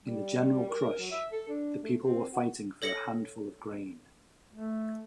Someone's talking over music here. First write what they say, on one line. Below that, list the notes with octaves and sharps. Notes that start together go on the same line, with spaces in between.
In the general crush the people were fighting for a handful of grain.
G3
A#4
F#3
E5
A4
D4
A3
C4
F#4
A4 C#5 A#6 C#7 F#7
A3